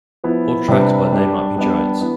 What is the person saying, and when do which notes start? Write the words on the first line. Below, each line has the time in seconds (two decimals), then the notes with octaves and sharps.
All tracks by They Might Be Giants.
0.24 F3 B3 E4
0.68 C3 G3 D4 G4 B4
1.12 G3 D4 G4
1.56 G3 B3 D4
2.01 E3 B3